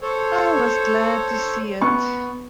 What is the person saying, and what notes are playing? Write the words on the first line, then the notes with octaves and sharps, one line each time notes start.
I was glad to see it.
A4 C5 C#5
B3 C#6